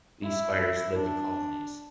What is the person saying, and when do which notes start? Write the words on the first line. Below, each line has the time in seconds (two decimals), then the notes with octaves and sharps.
These spiders live in colonies.
0.23 E4
0.96 D4